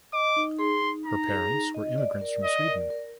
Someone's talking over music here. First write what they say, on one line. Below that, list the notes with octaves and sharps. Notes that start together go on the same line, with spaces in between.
Her parents were immigrants from Sweden.
D#5 D6
D#4
G#4 C6
D#4
D#4 A#5
G#4
D#4
D#5
D5
A#4
D5 D#5
A#4
A#4